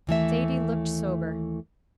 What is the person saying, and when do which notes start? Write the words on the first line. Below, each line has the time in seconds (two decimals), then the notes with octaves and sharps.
Sadie looked sober.
0.07 D#2 E3 A3 E5